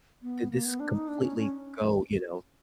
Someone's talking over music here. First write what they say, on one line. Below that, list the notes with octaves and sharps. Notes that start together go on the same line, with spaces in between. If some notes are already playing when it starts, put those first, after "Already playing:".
did this completely go, you know,
B3
A#3
B3
D4
D#4
D4
C#4
C#4